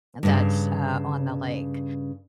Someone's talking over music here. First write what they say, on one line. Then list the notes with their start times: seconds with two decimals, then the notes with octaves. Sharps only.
that's, uh, on the lake.
0.23 G2 A#2 C#3